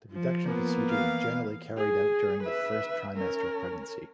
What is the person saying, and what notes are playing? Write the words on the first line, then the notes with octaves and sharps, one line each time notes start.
The reduction procedure is generally carried out during the first trimester of pregnancy.
F3
A#3 B3
E3 F5
G#4
B4 E5
C#4 A#4